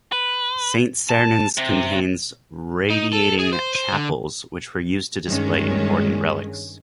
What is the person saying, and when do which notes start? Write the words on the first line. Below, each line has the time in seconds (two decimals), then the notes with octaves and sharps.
Saint-Sernin's contains radiating chapels which were used to display important relics.
0.12 B4
1.09 A5
1.57 C3
2.90 D#4
3.13 A4
3.39 G#4
3.53 C5
3.75 C5
3.92 D3
5.27 G2 D#3 G#3 C#4